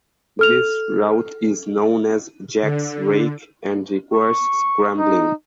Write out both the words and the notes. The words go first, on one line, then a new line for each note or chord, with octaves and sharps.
This route is known as "Jack's Rake", and requires scrambling.
A4 F6 F7
D3
C#6
D#4